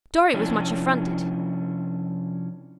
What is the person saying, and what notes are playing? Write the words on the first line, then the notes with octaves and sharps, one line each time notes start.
Dorry was much affronted.
C3 F3 C#4 D4 E4